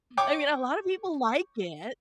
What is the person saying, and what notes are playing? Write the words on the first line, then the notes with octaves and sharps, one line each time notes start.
I mean, a lotta people like it.
C#5 G5 C#6 D6